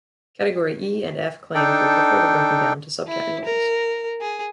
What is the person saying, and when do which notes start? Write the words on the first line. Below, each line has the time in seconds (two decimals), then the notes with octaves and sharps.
Category E and F claims were further broken down to subcategories.
1.55 D4 D#4 A4 G5
3.08 E4
3.45 A#4
4.21 G#4